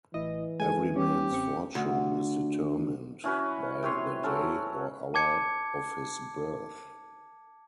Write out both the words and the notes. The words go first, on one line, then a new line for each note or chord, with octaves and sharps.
Every man's fortune is determined by the day or hour of his birth.
A1 E3 E4 D#5
G#3 G#4 A4 G#5
G3 C#4 G4
A1 C4 C#7
D2
E3 C#4 F#4 B4
C3 B4 C#5 C6
F#3 C#4 A4 F#5
A5 D6 G#6 C#7